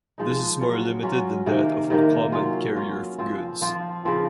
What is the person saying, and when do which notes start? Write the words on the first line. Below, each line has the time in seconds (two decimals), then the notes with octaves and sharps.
This is more limited than that of a common carrier of goods.
0.18 F3 G#3 D#4
0.61 F#3 C#4 F4
1.03 F#3 C#4 F4
1.46 C3 D#3 A#3
1.90 C3 D#3 A#3
2.32 F#3 C#4 F4
2.76 F#3 C#4 F4
3.19 F3 C4 F4
3.62 F3 C4 F4
4.05 C#3 F3 C4